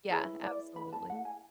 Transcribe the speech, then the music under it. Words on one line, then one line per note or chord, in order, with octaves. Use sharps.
Yeah, absolutely.
E4 G#4 B4 C#5
D5
B5
A5
F#5
G#5